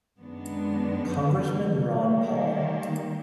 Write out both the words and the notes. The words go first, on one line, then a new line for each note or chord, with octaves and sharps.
Congressman Ron Paul.
F#2 D#3 G#3 B3 D4
D#3 G3 A#3